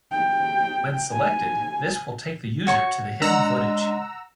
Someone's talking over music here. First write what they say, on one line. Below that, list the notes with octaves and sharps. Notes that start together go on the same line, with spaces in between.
When selected, this will take the user to the hidden footage.
G5
G#5
F#4 C#5 C#6
G#3 D4 F#5 A#5 E6